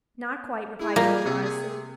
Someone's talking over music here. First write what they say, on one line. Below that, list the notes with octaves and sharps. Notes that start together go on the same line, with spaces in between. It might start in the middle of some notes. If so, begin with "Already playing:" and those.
"Not quite," replied Jo modestly.
E4 G#4
G3 A#3 F4
C3